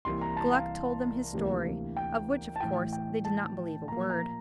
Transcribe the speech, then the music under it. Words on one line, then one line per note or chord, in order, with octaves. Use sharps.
Gluck told them his story, of which, of course, they did not believe a word.
C2 C3 E3 A#3 E4 C6
A#5
A5
F5
D2 C3 E3 A#3
G5
A5
A2 E3 A3 E4 G5
G5
A5
A#2 F3 A#3 A#5
A#5